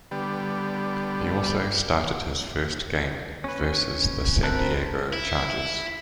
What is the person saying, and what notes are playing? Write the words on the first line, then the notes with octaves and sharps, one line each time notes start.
He also started his first game versus the San Diego Chargers.
D3 G3 B3 G4
C#4 B4
C4 A#4 C5 A5 B5 F#6
E4